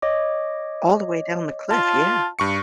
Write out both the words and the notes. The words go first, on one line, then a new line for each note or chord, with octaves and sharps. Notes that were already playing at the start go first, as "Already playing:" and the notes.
All the way down the cliff, yeah.
C#5 D#5 D6
F4 A5
G2 C#6 C#7